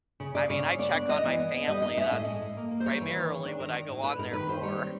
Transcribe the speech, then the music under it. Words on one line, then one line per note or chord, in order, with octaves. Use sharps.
I mean, I check on my family that's primarily what I go on there for.
C#3
C#3 D5
C#3 C#5
C#3
B3 D5
D4
B3 D#5
E3
B3
B3
G3 D#5
D#4 D#5
C#4 E5
A2 D#5
G#3
A2
A#3
A#3
C5
G3 C#5
E3
D#3
D#3
D4
D#3 A#4
D#4
A2
A2 B4
D#4 A#4
D#3 B4
D#3 C5
G3 C#5
C4